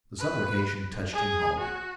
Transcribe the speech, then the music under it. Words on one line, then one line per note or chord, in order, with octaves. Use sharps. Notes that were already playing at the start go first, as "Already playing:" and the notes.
The supplication touched him home.
B4
G#4
F#4